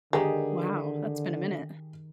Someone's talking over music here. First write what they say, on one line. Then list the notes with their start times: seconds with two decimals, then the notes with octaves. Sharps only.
Wow, that's been a minute.
0.13 D3 D#3 G#3 D#4 G4 G#4